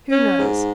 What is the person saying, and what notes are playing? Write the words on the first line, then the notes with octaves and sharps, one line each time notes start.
Who knows?
C#4
G#2